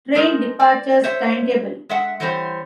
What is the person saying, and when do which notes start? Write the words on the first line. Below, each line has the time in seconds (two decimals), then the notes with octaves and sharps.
Train departures timetable.
0.15 G#3 D#4 A#4
0.60 D5
1.04 C5 C#5 E5
1.89 G#3 E5 F#5
2.20 E3 G3 C4 C5 C#5